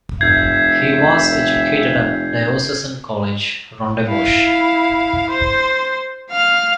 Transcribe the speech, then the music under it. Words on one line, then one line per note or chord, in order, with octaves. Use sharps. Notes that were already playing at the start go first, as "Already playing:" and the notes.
He was educated at Diocesan College, Rondebosch.
F1 E5 G6 G#6 C7
E4 F5
C5
F5 F6